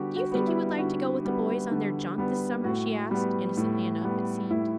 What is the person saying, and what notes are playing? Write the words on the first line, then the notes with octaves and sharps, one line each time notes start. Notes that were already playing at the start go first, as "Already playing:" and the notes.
"Do you think you would like to go with the boys on their jaunt this summer?" she asked, innocently enough, it seemed.
Already playing: D3 G3 B3 F#4 G4
F#4
G3 B3
E4
D3 F#4
G3 B3
D3
G3 B3
A2 F#4
G3 B3
A2
G3 B3
A2 E4